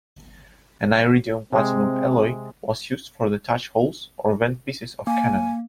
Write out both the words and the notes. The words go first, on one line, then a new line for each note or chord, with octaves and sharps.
An iridium-platinum alloy was used for the touch holes or vent pieces of cannon.
C3 G#3 C4
A#3 G#5